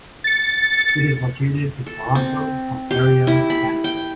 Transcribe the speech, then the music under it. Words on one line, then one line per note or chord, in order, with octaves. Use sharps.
It is located in Toronto, Ontario, Canada.
A6 C#7
A4
C4
G4
E4
B5
G5